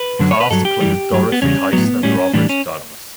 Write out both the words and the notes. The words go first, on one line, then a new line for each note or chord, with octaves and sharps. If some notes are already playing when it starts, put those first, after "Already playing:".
The cast included Dorothy Hyson and Robert Douglas.
Already playing: B4
F#2 D3 F#3
C#5
B4
G2 F#3 A4
G4
F#2 E3 G3
G2 F#3
B3
E2 C#3 G3 C#4
A2 F#3 B3
A2 G3 C#4
A2 E3 G3 D4
C#4